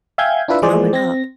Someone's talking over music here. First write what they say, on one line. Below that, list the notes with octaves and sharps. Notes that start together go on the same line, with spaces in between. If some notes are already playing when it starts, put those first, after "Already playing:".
growing up,
E5 F5 G5 G#5 G6 G#6
D4 E4 F4 B4 E5
E3 F3 G#3 G#4 C5 D5
C4 A#6